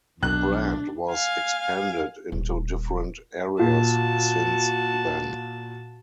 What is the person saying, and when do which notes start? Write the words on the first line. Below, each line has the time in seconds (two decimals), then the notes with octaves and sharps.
The brand was expanded into different areas since then.
0.23 B1 D4 F#6
1.12 F5 G#5
2.32 D#1
3.59 A#2 F#4 A5